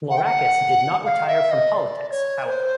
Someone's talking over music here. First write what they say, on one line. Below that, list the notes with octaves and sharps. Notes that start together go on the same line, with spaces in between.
Florakis did not retire from politics, however.
F#5
G5
F#5
F5
E5
D#5
D5
C#5
C5